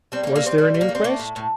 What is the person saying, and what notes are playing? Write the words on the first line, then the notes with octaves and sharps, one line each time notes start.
"Was there an inquest?"
G3 C4
A#3
G3
A#3
G3 C4
G3 C4
G3
A#3
G3
C4
A3 A#3
A2
A2